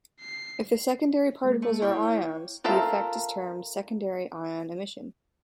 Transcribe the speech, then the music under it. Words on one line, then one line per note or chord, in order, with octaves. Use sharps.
If the secondary particles are ions, the effect is termed secondary ion emission.
C7
G#3 A#3
A3
A#3 E4 C#5 G5
F4 A4 A#4 E5 F5